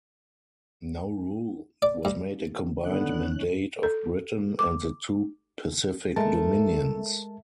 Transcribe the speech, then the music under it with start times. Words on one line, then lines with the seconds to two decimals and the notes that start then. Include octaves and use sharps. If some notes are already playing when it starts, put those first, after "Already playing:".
Nauru was made a combined mandate of Britain and the two Pacific Dominions.
1.82 D5
2.05 G2
2.85 D3 D#3 B3 C#4 F#6
3.83 A4
4.59 D6
6.16 G#3 A3 A#4 A5